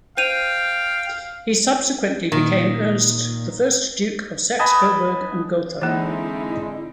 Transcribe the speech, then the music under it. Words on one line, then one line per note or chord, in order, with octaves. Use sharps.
He subsequently became "Ernest the First, Duke of Saxe-Coburg and Gotha".
C5 F5 G5 D#7 F7
A#2 D#3
B4 D#5 G#5 A5
D3 E3 G#3 A#3 C4 D#4 E4